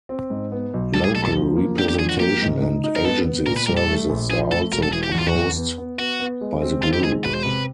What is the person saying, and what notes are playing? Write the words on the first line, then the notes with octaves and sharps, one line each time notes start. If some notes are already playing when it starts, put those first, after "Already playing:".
Local representation and agency services are also proposed by the group.
C4
G#2
B3
B1
G3 A4
G#4
B1 A4
A4
F3
A#3
D4 G4
G4
F3 G#4
F#4
A#3 G4
G#2
D#4
D#4
A#4
B3 A4
B3
A#2 A#4
B4
G3 A#4
A4
A3
A#1
F3 G#4
A3 A4
E1 A#4
A4
E3 G#4
G4
F#4
E2 F4
F#4
E2
B3
B3
B3 F#4
B3
G#3
C4
D#3 F4
G4
G#3 G#4
E1 B4
C5
C3 B4